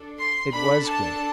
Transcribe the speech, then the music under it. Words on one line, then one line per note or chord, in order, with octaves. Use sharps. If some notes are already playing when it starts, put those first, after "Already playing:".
It was good.
Already playing: D4 A4
C6
D4 A4 B5
A5